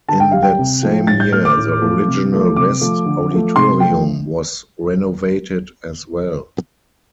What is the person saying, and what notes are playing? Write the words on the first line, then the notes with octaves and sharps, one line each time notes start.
In that same year, the original west auditorium was renovated as well.
D3 A5
G5
G3 F5
G5
C3
F3 A3
A2 A6
G6
A3 F6
D6
A2
F3 A3
C3
F3 A3
C3 D6
F3 A3
D3
F3 A3
C3 C6
F3 A3 G5